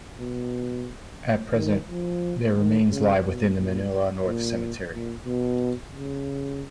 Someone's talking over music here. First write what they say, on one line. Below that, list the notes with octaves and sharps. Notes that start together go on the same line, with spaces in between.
At present, their remains lie within the Manila North Cemetery.
B2
D#3
F3
D#3
C#3
B2
A#2
A#2
A#2
B2
C#3